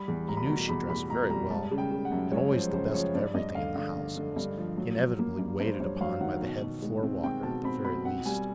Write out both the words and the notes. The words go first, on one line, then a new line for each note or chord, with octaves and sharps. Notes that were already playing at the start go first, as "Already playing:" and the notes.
He knew she dressed very well, had always the best of everything in the house, and was inevitably waited upon by the head floor-walker at the very least.
Already playing: G3 B5
E2
G3 A#5
B5
B2 A#5
E2 B5
E2 B5
B2 A#5
G3 A#5
G#3 A5
C#3
G5
C#3
F#5
F#2
G#3 C#5
F3 C5
C#3 C5
F3 C#5
G2 D5
G2 D#5
D3 F5
D3 F5
D3
D3
G2
F3
F#3
F#3
A#3
G2
G2 C5
G2 C#5
F#3 F5
D#3 F#5
B2
B2
G#3
C4
C4 G5
B2 A5
C4 B5
B2 B5
C4 F#5
G3 G#5